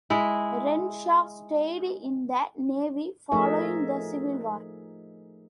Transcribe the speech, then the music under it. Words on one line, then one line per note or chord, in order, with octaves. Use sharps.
Renshaw stayed in the Navy following the Civil War.
G#3 E4
F3 A3 D#4 G#4 A#4 E5